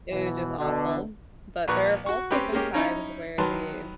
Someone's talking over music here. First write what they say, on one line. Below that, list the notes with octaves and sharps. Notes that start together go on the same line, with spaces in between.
it was just awful, but there have also been times where they've
B2 E3
B2 D3
A#1 A#2 B4 A#5 C#6 F#6
F#4 C#6
C4 C#4 G4 B4
G#3 A#3 C#4 G4
C#4 D#4 E4 C#5 A#5
D#3 F#3 B4 A5 C6